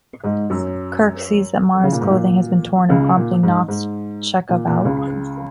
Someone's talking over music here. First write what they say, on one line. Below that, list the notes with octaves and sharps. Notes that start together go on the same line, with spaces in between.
Kirk sees that Mara's clothing has been torn and promptly knocks Chekov out.
G#2 G#3
F#2 F#3
C#3
A#2
G#2
A#2
C#2 C#3
A#2
G#2
G#2
A#2
A#2
C#2 C#3